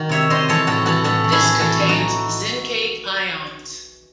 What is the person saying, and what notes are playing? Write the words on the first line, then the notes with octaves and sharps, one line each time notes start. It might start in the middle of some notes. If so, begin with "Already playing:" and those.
This contains zincate ions.
Already playing: D#3 F#4
C3 C#5 E5
C3 C5 D#5
E3 A4 C#5
A2 F#4 A4
E3 F#4 A4
A2 F#4 A4
E3
E4 G#4
E3
E3 F#4 A4
E3
D#4 F#4
E3